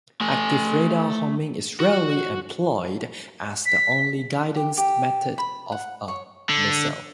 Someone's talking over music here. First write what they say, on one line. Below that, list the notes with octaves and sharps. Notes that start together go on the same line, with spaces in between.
Active radar homing is rarely employed as the only guidance method of a missile.
A3 G#5
F#4
B6
G4
G4
B5
F#5
C#5
D3